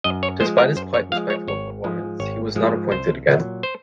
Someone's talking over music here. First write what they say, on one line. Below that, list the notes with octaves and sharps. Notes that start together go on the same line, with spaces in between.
Despite his quite respectable performance, he was not appointed again.
F#2 D#5
C#5
F3 G#3 C5
A#4
F#2 C5
C#5
F3 G#3 F5
C#5
G#1 C#5
G#2 F3 G#3
G#1 C#5
G#2 F3 G#3
C2 C5
A#2 F#3
C5